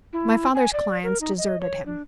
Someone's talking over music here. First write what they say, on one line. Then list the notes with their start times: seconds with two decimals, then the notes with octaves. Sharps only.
My father's clients deserted him.
0.13 E4
0.55 G#5
0.73 D5
1.03 A#4
1.21 D#4
1.38 D#5
1.60 C#5
1.85 D4